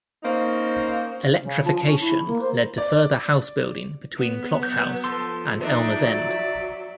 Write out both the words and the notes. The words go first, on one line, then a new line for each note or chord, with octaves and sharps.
Electrification led to further house building between Clock House and Elmers End.
A#3 C4 C#4 D#4 C5
C#3
F3
C#4
E4
A#3
C5
D5
B3
F#3 G6
F3 A4 C6
D4 D#4 D5 E5
F#3